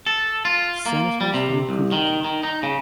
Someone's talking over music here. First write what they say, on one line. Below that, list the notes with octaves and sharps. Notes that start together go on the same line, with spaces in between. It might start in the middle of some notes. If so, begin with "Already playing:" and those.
Senators from Kentucky.
A4
F4
A#3
G3
C3
C2
D#3
D#3
D#4
C#3